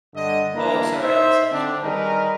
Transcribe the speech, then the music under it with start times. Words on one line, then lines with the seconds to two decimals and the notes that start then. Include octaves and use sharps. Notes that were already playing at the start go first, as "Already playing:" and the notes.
Oh, sorry, I misunderstood,
0.14 G2 D3 D#5
0.55 G1 A#3 D4 E4 B4 A#5
1.02 D#4 C5 E5
1.50 D3 C4 D4
1.83 D#3 G3 D#4 G#4 A#4 B4